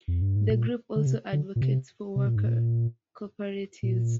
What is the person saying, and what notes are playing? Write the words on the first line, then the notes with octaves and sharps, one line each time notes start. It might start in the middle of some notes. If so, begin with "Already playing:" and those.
The group also advocates for worker cooperatives.
F2
G2
G#2
A#2
D3
C3
D3
A#2
C3
C3
A#2
G#2
A#2
A#2